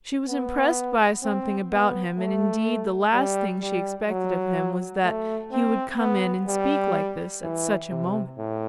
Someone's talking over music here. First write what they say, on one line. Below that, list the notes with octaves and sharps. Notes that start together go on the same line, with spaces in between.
She was impressed by something about him, and indeed the last thing she expected of him was that he would come in and speak like this at such a moment.
B3
C4
B3
A3
G3
G3
F#3
A3
C4
B3
G3
E3
C3
A2